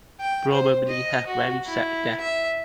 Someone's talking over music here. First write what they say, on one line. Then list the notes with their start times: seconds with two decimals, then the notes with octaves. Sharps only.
Probably have very sad death.
0.20 G5
0.52 C5
0.88 D#5
1.26 F#4
1.66 E4
2.20 E5